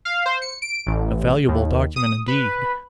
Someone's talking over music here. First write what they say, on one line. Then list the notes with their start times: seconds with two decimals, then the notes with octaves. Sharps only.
'A valuable document, indeed!'
0.05 F5
0.26 C5
0.42 C#7
0.62 D7
0.87 A1
1.48 D#2
1.96 D#6
2.28 B4